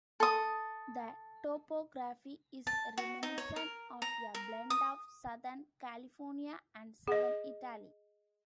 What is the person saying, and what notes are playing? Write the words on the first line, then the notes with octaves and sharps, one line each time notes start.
The topography is reminiscent of a blend of Southern California and Southern Italy.
A4 D#6
A5
F#4
D#4
C#5
A#4
A#5
A#4
D#6
G#4 D#5